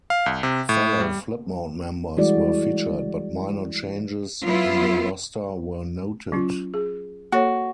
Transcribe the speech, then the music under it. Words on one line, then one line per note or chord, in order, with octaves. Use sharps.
Fellow Flipmode members were featured, but minor changes in the roster were noted.
F5
C2
C3
A2
G3
E3 G3 G#3 E4 F#4 D5
F#3 B3 E4 F4
F#3 C#4 F4
G#4
A#3 F#4 A4 C#5